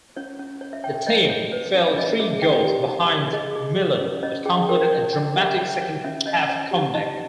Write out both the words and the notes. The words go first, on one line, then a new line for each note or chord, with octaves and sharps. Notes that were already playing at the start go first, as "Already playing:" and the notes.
The team fell three goals behind Milan but completed a dramatic second-half comeback.
C#4 C#5
C#4
C#5
E5
C#5 G5
E5
C#5 D#5
C#5
B4 C#5
C#4
C#4 D#5
G#4 E5
C#5 G5
G4
D#4
C#5
G#4 D#5
G#4
G4
C#4
C#4 D#5
G#4 G5
A#4 G5
C#5
C#5 G5
G4 E5
C#5 G5
C#5
C#4 E5
C#4 D#5
C#5
G4
D#4 D#5